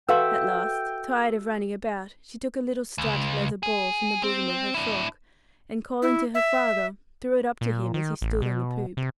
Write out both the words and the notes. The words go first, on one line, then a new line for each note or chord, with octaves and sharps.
At last, tired of running about, she took a little striped leather ball from the bosom of her frock, and calling to her father, threw it up to him as he stood on the poop.
F#4 A4 B4 E5 F5 G5 C6 E6
C#2
G#4
C4
D4 E4
E4
E5
A#2
D#3
A1
B2
C3